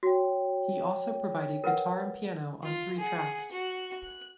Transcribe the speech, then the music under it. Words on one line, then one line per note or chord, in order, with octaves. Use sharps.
He also provided guitar and piano on three tracks.
F#4 C#5 G5
A#4 B4 F#5
F4
G#4 F#5
F#4
F#6